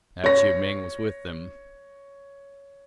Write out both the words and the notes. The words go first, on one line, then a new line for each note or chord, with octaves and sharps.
Now Chiu-Ming was with them.
C#5 A#6